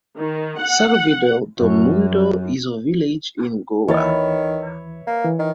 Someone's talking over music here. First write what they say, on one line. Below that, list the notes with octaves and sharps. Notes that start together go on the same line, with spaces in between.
Salvador Do Mundo is a village in Goa.
D#3
F#5
F#2
D#2 D#3 E3 B4 C#5 E5 A6
A#3
E3
D#3